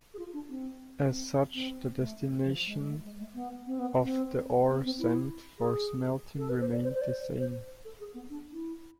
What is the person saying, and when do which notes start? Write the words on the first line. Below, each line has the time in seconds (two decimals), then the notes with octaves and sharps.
As such, the destination of the ore sent for smelting remained the same.
0.14 G#4
0.19 F4
0.33 D4
0.49 C4
1.09 C4
1.54 C4
1.99 A3
2.44 F3
2.67 G#3
2.89 A3
3.04 G#3
3.19 A3
3.34 B3
3.66 C4
3.79 B3
4.02 C4
4.69 C4
4.84 C4
4.99 E4
5.59 G#4
6.38 A4
6.49 B4
6.61 C5
6.72 D5
6.83 C5
6.94 C5
7.01 D5
7.09 C5
7.39 C5
7.85 A4
8.00 G#4
8.14 B3
8.30 D4
8.52 E4